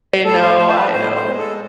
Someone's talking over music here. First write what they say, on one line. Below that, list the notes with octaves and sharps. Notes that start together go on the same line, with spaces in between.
I know, I know.
A2 A4
C5
F3 A3 C5
C5
B4
A2 C5
C5
G#3
A4